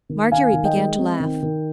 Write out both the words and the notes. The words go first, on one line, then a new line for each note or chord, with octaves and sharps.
Marguerite began to laugh.
D#3
D#3 F5 G#5
D#3
D#5 G5
G#3
C4
D#3
D#3